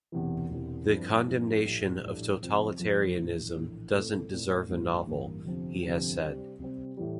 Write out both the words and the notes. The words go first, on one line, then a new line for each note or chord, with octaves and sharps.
"The condemnation of totalitarianism doesn't deserve a novel," he has said.
E1 E2 C3 E3
E1 E2 C3 E3
G2 F3 C4 E4
G2 F3 C4 E4
A#1 A2 G3 D4 G4
A#1 A2 G3 D4 G4
F2 C3 F3 C4 F4
F2 C3 F3 C4 F4
A#1 A2 E3
A#1 A2 E3
A#2 A3 C4 E4 A4
A#2 A3 C4 E4 A4
A1 G2 E3 G3 A#3
A1 G2 E3 G3 A#3
G1 F2 C3 F3 C4
G1 F2 C3 F3 C4
C3 G3 C4
C3 G3 C4
A2 E3 G3